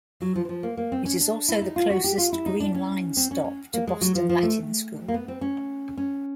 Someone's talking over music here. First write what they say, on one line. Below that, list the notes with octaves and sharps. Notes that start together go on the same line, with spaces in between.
It is also the closest Green Line stop to Boston Latin School.
F#3
F3
E3
F3
A#3
A#3
C4
C#4
D4
E4
D#4
F4
F#4
G4
F4
E4
D#4
D4
C#4
C4
C#4
C#4
A#3
G#3
F#3
F3
F3
A3
A#3
B3
C4
C#4
C#4